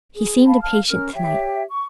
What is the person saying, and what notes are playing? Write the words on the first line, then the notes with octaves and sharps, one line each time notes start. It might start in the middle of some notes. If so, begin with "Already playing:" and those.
He seemed impatient to-night.
G#4
F5 A5 B5
F5 A5 F6
C#4 A#4 F6
G4 C#5 E5 G5
C#6